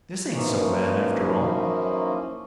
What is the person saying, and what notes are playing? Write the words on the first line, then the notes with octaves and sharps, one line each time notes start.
This ain't so bad, after all.
F#2 E3 F3 A#3 C#4 D#4